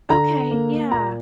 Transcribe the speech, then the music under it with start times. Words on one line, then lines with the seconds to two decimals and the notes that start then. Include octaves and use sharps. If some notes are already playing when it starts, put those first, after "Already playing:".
Okay, yeah.
0.10 D3 A#5
0.51 A#3
0.92 A#2 A#5